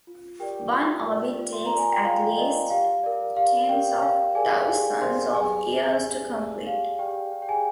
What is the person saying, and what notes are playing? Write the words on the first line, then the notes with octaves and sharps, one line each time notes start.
One orbit takes at least tens of thousands of years to complete.
F4
G4 A#4 D5 G5
F4
A#4 D5
F4
C6
A#5
A#4 D5
G#5
G5
F4 F5
A#4 D5 D#5
G4 F5
A#4 D5
G4 F5
G4 A#4 D5 G5
G4 F5
G#4 A#4 D5 G#5
G4 G#4 G#5
A#4 C5 D5 C6
G4 G#4 G#5
D5
G4
D5
G4 F5
G4 D5 G5
G4
G5
G#4 G#5